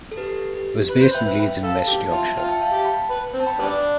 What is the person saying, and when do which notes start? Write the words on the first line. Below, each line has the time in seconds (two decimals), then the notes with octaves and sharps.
It was based in Leeds in West Yorkshire.
0.12 A4
0.17 G4 B4
0.54 G4
0.90 B4
1.01 C5
1.12 B4
1.15 E5 G5
1.27 B4
1.39 G5 B5
1.63 A4 F5 A5
1.88 G4
2.05 A5
2.12 F4 E5 G5
2.37 F4 G5
2.45 A5
2.52 E5 G5
2.61 F5 A5
2.73 G4
2.82 A5
2.85 G5 B5
3.11 B4
3.34 C4
3.40 A5
3.47 G5 B5
3.59 G3 B3 D4